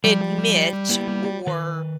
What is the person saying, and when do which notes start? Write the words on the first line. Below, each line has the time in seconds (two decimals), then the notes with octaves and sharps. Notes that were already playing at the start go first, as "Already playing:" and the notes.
admit or
0.04 F3 G3
0.89 A#3 B3 E4
1.47 D#3 B4